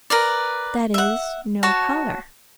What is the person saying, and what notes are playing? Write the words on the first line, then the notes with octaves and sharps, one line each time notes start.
That is, no colour.
A#4 B4 D5
E5 F#5
F#4 C#5 A5